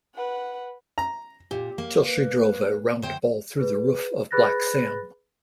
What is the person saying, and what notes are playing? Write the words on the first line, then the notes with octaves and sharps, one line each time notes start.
Till she drove a round ball through the roof of Black Sam.
B4 F#5
A#5
A#2 G4
A#3
B4
D2 C5 G5
G#4 B4
G#4 B4 B5 F#6 A6 A#6